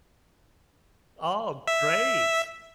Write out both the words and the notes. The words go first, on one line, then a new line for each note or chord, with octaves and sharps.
Oh, great.
E5